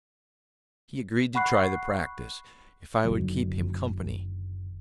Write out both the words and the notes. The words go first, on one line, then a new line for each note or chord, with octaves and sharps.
He agreed to try the practice, if I would keep him company.
F#5 B5 C#6 F#6 C7
F#1 D3 D#3 F#3